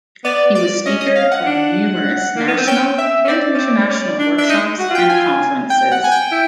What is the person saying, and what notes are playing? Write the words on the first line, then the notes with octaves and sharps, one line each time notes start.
He was speaker for numerous national and international workshops and conferences.
B3 D5
D5
C#4 D#5
D#5
F5
F#5
D4
A#3
B3
C4
C#4 G5
E5
C#4
C4 D5
C#4
C4
C#4
D4
D4 E5
D#4 D#5
F#4 F#5
F4 G5
G#5
G5
F#5
G#5
G5
E4